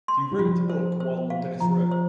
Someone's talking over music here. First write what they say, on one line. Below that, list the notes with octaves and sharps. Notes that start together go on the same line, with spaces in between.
He wrote the book while on death row.
C6
G3
F3 F4
C5
C5
F5
F3 A#5
C5